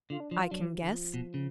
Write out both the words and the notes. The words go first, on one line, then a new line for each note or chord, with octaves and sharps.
"I can guess."
D3 F4
D4
F3 D4
F4
F#3 D4
F3
F3
D3
F3
B2
C#3